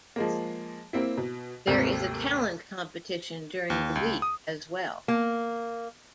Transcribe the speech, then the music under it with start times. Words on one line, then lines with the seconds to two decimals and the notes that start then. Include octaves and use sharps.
There is a talent competition during the week as well.
0.16 F3 G#3 A#3
0.93 A#3 C4 E4
1.17 B2
1.67 G#1 D#2 C3 A3 A#3 C4
3.70 D#2
3.95 C#2
4.22 D#6
5.08 A#3